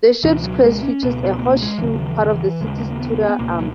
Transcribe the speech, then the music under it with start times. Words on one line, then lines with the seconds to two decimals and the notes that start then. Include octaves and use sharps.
The ship's crest features a horseshoe, part of the city's Tudor arms.
0.24 C#2 B2 E3
0.44 F#3
0.63 G#3
0.83 C#4
1.02 C#2 B2 B3
1.23 B3
1.39 B3
1.42 A#3
1.62 G#3
1.78 E3
1.82 D#2 C#3 F#3
1.98 D#3
2.09 E3
2.24 D#3
2.34 E3
2.61 D#2 C#3 G#3
2.90 A#3
3.00 B3
3.29 B3
3.39 C#2 B2 A#3
3.59 F#3